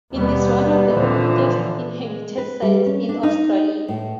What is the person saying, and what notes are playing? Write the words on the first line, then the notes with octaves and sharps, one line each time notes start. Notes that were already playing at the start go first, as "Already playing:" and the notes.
It is one of the oldest inhabited sites in Australia.
D#2 B2 G3 B3
A#2 D3 E3 F3
G#3
B4
G3
C#4
D4
D#4
A2